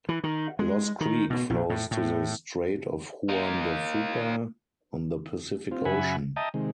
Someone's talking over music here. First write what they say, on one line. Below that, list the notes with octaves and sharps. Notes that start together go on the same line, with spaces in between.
Loss Creek flows to the Strait of Juan de Fuca on the Pacific Ocean.
E3
D#3
G#3
D#3
B2
A#1
A2
A2
A#3 D#4
C4 F4
F#2 C#3 E5 F#5 G#5 B5
D#5 E5 G5 A5 A#5 D#6
C3 D#3 G#3